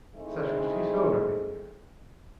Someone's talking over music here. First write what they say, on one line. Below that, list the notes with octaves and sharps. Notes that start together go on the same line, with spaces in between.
Such was his own opinion.
G#3 A3 C4 D#4 E4 G#4